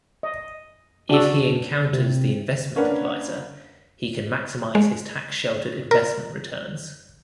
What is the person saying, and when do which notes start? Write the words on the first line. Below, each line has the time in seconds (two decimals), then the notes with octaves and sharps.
If he encounters the investment advisor, he can maximize his tax-sheltered investment returns.
0.23 D#5
1.09 D4 F#4 E6
1.93 C3
2.76 A#3 C#4 D4 A#4 B4 F#5
4.75 G#3
5.91 A#4